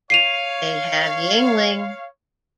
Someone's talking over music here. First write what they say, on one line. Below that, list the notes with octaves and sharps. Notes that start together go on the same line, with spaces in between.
They have Yuengling.
C#5 F5 C7 D#7 F7